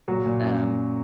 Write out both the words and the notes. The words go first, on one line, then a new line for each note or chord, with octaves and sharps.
t um,
A#2 F#3 F#4
A#2
F#2